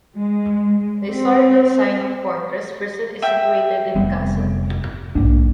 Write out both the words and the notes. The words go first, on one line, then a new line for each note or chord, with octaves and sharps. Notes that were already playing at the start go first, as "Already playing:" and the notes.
The historical Sinop Fortress Prison is situated in the castle.
G#3
C4
E5 G5
F1 G3 B3
B1 G#2 A#3 D4